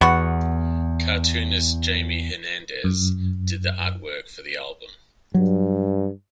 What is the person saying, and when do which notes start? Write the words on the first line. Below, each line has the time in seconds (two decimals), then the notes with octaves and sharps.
Cartoonist Jaime Hernandez did the artwork for the album.
0.01 E2 B3 F#4 F#5
2.84 F#2
5.34 G2 F#3